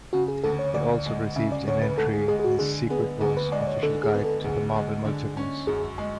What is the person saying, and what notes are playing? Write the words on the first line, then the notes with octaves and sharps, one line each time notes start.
They also received an entry in "Secret Wars Official Guide to the Marvel Multiverse".
C#3 F#4
G#4
D2 A4
C#5
D2 D5
G#3
C#3 E5
D5
D2 C#5
B4
D2 A4
G#4
G#3 G#4
G#4
F#4
D3 G#4
B3 G#4
D2 G#4
B4
G#3 D5
D5
C#5
D3 A4
G#4
B3
A4
D2 G#4
G#3
D3
C#4
F#2 G#4
G#3